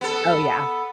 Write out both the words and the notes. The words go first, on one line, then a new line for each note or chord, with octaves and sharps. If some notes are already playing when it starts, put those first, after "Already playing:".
Oh, yeah.
B3 A4